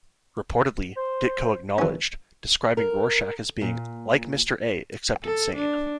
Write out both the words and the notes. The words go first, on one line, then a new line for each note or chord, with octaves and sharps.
Reportedly, Ditko acknowledged, describing Rorschach as being "like Mr. A except insane".
C5
C2 E3 C#4
A#4
A#2
A4
D4